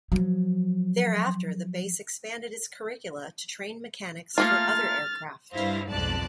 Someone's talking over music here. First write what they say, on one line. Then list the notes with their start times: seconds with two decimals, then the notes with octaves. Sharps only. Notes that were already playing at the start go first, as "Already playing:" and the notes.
Thereafter, the base expanded its curricula to train mechanics for other aircraft.
0.12 F3 F#3
4.38 A3 A#3 F4 F6 A6
5.54 G2 E4 C5 F5 A#6
5.90 B1 F2 G#2 D5 A5 F#6